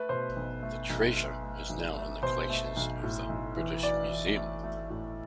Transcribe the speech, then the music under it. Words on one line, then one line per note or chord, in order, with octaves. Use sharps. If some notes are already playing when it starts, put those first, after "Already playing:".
The treasure is now in the collections of the British Museum.
Already playing: A3 B4
B2 C5
B1
A3
B1
A3
A3
B1
A3
B2 C5
A3
B1
A2
B1
E3
E3 D5
E3
A3
A3
A2